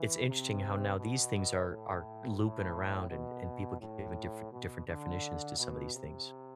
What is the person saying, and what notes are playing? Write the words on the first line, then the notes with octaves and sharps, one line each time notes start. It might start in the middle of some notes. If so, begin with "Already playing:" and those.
it's interesting how now these things are are looping around, and and people giving different different definitions to some of these things.
Already playing: E3
C3
B2
A2
A2
B2
A2
B2
D3
B2
C3